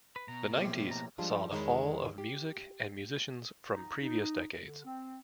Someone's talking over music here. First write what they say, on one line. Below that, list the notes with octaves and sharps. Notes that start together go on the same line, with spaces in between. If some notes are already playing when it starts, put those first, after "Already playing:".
The nineties saw the fall of music and musicians from previous decades.
B4
B2 A#5
A#1 A2 G3 C4
A#5
F3 G3 G#3 D4 F4
E2 C3 D#3 G#3 D#4 C#5
G4
D#4
D#4
D3
C4